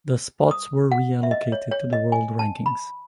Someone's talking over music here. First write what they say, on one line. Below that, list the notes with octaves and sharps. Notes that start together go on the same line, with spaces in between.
The spots were reallocated to the world rankings.
D#6
F#5
E5
D#5
C#5
C#5
D#5
G#5
A5
B5